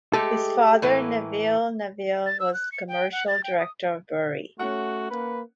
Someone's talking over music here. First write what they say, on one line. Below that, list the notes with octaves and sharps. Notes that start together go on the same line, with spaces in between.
His father, Neville Neville, was commercial director of Bury.
G#3 A3 G4 A4
A2 E3 A#3
A6
E6
F#6
C#7
G5
F#5
A6
G5
D#6
A3 C#4 F#4 F#5
A#3 B4